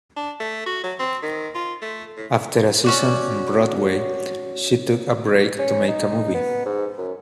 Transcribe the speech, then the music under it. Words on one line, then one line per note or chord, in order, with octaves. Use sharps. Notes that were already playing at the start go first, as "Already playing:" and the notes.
After a season on Broadway, she took a break to make a movie.
D4
A3
F#4
F#3
C4
D#3
F4
A3
A2
C#4 F#4 D5
C#4
D#4
B3
G#2
F#2